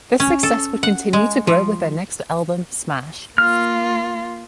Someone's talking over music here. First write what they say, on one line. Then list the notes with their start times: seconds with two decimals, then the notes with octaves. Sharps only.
This success would continue to grow with their next album, "Smash".
0.20 C#4
0.43 A4
0.83 F#5
1.13 G#3
1.47 F3
3.38 A#3 F4 F6